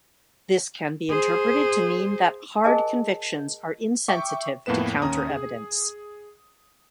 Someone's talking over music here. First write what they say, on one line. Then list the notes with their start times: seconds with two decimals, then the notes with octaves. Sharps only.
This can be interpreted to mean that hard convictions are insensitive to counter-evidence.
1.10 G#4 C5
2.64 G#4 A#4 C5 D#5 G#5 A5
4.08 E5 G5 C#6 D6
4.66 F2 A2 A#3 B3 B4 E7
5.02 D#2 C#4 A#5 D#6
5.30 G#4